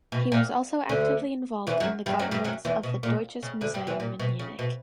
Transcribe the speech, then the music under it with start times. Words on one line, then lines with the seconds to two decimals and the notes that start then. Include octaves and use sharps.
He was also actively involved in the governance of the Deutsches Museum in Munich.
0.12 B2
0.32 A#2
0.89 D2 D3
1.67 E2 E3
1.80 F#2 F#3
2.06 G2 G3
2.19 F#2 F#3
2.31 G2 G3
2.44 F#2 F#3
2.65 E2 E3
2.83 B2
3.03 A#2
3.43 C#3
3.61 D2 D3
3.74 G2 G3
3.87 E2 E3
4.00 A#2
4.20 B2
4.39 C#3
4.59 B2